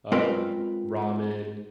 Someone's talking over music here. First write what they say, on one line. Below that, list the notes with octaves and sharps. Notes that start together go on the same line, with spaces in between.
um, ramen;
G#3 C4 F4 A#4 B4 G5